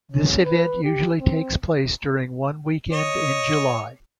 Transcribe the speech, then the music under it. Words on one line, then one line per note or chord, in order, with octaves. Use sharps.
This event usually takes place during one weekend in July.
C#4
B4
G4
C4
C#5 D#5